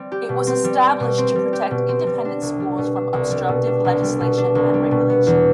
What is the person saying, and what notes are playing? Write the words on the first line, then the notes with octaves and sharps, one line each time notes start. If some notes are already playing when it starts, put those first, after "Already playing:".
It was established "to protect independent schools from obstructive legislation and regulation".
Already playing: G3 C4
G4
B2
C4
G3
G4
B2
C4
G3
G4
B2
C4
G3
D4
C2
G3
B2
D4
C2
G3
B2
D4
C2
G3
B2
D4
C2
G3
B2
B3
E2